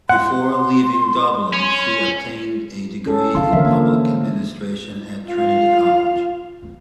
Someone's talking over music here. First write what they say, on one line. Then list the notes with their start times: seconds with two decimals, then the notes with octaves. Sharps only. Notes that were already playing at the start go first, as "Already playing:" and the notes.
Before leaving Dublin she obtained a degree in public administration at Trinity College.
0.09 F#5 C6
1.53 C#4
3.06 C#4 G#4 A4
3.35 E4 F4 F5 C6
3.53 D3 E3 F3 A#4 E5
3.66 A#3
5.28 F4 F5